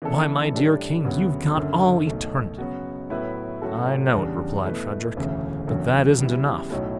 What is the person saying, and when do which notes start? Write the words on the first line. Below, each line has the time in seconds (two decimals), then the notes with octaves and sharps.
Why, my dear king, you've got all eternity.' 'I know it,' replied Frederick, 'but that isn't enough.
0.02 C#3 E3 B3 D4 A4
0.53 A2 G3 D4 A4
1.05 D2 C#3 F#3 B3 F#4
1.56 F#1 F#2 D3
2.07 B1 B2 A3
2.58 C#3 F#3 B3 F#4
3.10 A2 F#3 B3 E4 B4
3.62 A2 F#3 C#4 F#4 A4
4.13 E2 C#3 G3 D4
4.65 B2 A3 E4 B4
5.16 E1 D2 C#3 E3 A3
5.67 F#1 E2 D3 F#3
6.20 C#3 G3 B3 E4
6.70 B1 A2 F#3 A3 E4